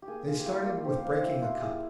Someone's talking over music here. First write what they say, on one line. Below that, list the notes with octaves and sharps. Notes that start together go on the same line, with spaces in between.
They started with breaking a cup.
G4
A#3 G#4
F4 G#4
G4
E4 F4
A#3
F4
F3 G4
F4
E4
E4 F4
G4
E4 G#4